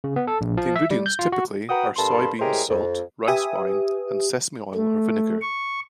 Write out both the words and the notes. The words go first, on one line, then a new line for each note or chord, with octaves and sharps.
The ingredients typically are soybeans, salt, rice wine and sesame oil or vinegar.
C#3
B3
A4
A#1
F3
E5
G3
G6
F4
F#4
F#4 B4 F#5 G5 A#5 D#6
G2 A#3 A4 A5 B5 C6
A2 G#3 G4 G#4 A#4 C5
F2
G4 B4 E5 G#5 D#6
A3
C#6